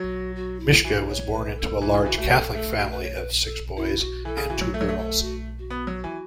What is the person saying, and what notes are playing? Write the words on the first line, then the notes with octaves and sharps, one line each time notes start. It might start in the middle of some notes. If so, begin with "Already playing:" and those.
Mischke was born into a large Catholic family of six boys and two girls.
Already playing: F#3 F#4
F#4
E4
E3 F#4
C#5
B4
A4
E3 E4
C#3
E3 F#4
A3 F#4
A4
A3 A4
F#4
B4
C#5
B4
A4
E4
F#4
E3 A4
C#3
E3 F#4
F#3
A3 A4
F#3
A3
A4
F#4
F#4
B3
F#3
E3